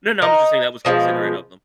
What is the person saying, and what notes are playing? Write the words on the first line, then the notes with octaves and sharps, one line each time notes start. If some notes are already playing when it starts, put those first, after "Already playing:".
No, no, I'm just saying that was considerate of them.
D#4 A#4 D#5
B2 F3 G3 G#3